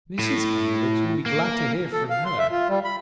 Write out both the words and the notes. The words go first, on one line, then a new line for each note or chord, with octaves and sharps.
Mrs Kenwigs will be glad to hear from her.
A2
A#3
A4
F5
C6
E5
F4
G3
B5